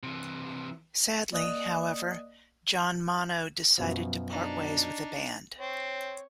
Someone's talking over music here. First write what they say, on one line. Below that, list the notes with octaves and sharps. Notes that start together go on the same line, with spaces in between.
Sadly, however, John Mono decided to part ways with the band.
C3 E3
A#3 D5 D#5 D#6 F#6
F#2 B2 F3
D4 D#4
C4 C#5